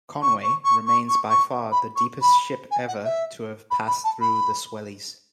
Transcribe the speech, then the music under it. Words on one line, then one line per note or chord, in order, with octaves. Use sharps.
"Conway" remains by far the deepest ship ever to have passed through the Swellies.
C#6
C#6
C#6
C#6
C#6
C#6
B5
C#6
B5
G#5
F#5
E5
B5
B5
A5
B5